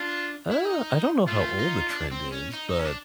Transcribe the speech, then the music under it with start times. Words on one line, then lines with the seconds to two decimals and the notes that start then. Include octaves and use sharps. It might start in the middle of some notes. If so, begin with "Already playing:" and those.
Uh, I don't know how old the trend is, but
Already playing: D4 F4
0.51 E4
0.65 D#4
1.27 A3 F4
1.59 D#4
1.90 D4
2.12 C4
2.32 C#4
2.54 D#4
2.69 D#4
2.79 C#4
2.85 D4